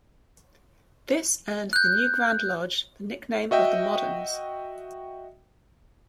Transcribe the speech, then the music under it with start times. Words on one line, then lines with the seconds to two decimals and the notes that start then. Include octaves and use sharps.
This earned the new Grand Lodge the nickname of the "Moderns".
1.73 F#6 G6
3.51 F#4 D#5 E5 G5